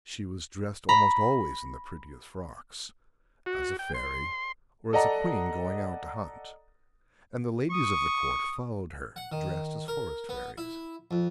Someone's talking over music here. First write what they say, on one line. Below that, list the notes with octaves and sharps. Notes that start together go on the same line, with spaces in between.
She was dressed almost always in the prettiest frocks, as a fairy, or as a queen going out to hunt, and the ladies of the Court followed her dressed as forest fairies.
A#5 B5
F#4
G5
C6
A4 D5 D#5 F#5 A#5
C#6 D#6
F#5
D#3
A#4
B3
E4
F2